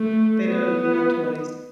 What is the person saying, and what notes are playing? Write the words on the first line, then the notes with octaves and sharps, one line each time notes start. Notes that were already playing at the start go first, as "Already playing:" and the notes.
They don't no toys.
Already playing: A3
B3